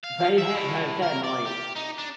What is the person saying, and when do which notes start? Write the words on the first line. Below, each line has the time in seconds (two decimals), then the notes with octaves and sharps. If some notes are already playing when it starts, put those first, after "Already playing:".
They had no family.
0.03 F5
0.38 E5
0.54 A2
1.02 A#4
1.24 D5
1.46 G4
1.76 D#4
1.99 D4